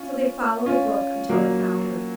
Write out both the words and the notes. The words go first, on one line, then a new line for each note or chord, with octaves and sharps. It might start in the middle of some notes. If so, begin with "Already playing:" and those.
So they followed the brook until they found her.
Already playing: C#4 F4
C#4 F4
F#3 A#3